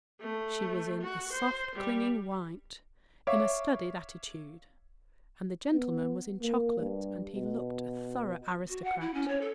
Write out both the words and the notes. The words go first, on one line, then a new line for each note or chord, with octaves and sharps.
She was in a soft clinging white in a studied attitude and the gentleman was in chocolate and he looked a thorough aristocrat.
A3
F#4
C5
G3
C#5 E5 F5 D6
B3
A#3
G2
B2
F#4
F#5
E4
C#4
C#5
A4